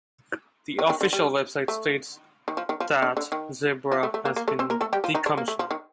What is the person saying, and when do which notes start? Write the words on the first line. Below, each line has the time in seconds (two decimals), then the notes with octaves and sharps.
The official website states that "Zebra has been decommissioned".
0.79 D#3
0.90 D#3
1.01 D3
1.13 G3
1.68 A3
2.48 D#3
2.57 F3
2.69 D#3
2.80 F3
3.02 D3
3.17 D3
3.32 D#3
3.92 F3
4.03 A3
4.14 A3
4.25 A#3
4.36 A#3
4.48 A3 A4
4.59 C4 C5
4.70 A#3 A#4
4.81 A3 A4
4.93 G3 G4
5.04 F3 F4
5.15 D#3 D#4
5.26 D3 D4
5.37 A#3
5.48 A3
5.59 F3
5.71 D#3